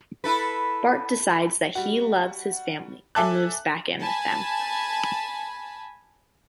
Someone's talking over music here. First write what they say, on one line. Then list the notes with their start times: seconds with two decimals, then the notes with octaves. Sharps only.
Bart decides that he loves his family, and moves back in with them.
0.24 E4 A4 B4
1.75 G3 F#4
3.15 A4 E5 G#5 A5 D6 F#6
4.00 G#5 A5 B5